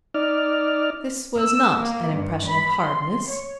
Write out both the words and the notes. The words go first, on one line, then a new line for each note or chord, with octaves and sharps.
This was not an impression of hardness.
D#4 D5 F6
E6
A#3
G2
B5
C6
C#5